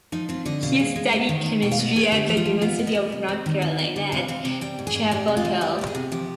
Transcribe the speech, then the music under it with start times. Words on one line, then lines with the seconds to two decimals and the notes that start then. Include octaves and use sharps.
He studied chemistry at the University of North Carolina at Chapel Hill.
0.12 F3 D#4
0.29 C4 F4
0.45 D3 D#5
0.62 B2 F5
0.79 G#3
0.96 G#3
1.13 B3
1.29 D#3
1.46 D#2
1.62 B2 G5
1.72 F5
1.79 B3 D#5
1.96 B3 G#4
2.12 D3 G4
2.29 F3
2.37 F4
2.45 F3
2.62 B3 F4
2.79 B3
2.87 D#5
2.95 G3
3.12 C3
3.28 C4
3.46 D#3
3.62 D#2
3.79 B3
3.96 D3
4.12 C3 F5
4.28 C4 F5
4.45 C3 G5
4.61 G3 G5
4.79 G#2
4.87 G#4
4.95 G#2
5.11 G3 G4
5.28 C3
5.37 F4
5.45 G3
5.61 G3 G4
5.79 B3 G4
5.87 G#4
5.95 C3
6.12 F3 G4